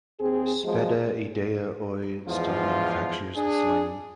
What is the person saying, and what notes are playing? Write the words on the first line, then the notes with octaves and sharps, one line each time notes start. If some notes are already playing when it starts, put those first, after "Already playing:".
Spede-Idea Oy still manufactures the sling.
D#2 C4 G#4
F3 F#3 G#3
E2 G#2 F3 F4
D4 G#4